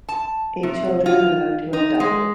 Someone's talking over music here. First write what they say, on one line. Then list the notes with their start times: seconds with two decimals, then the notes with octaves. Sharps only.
Eight children are known to have died.
0.09 A5
0.63 C3
1.06 F4
1.73 D#4
2.00 G#3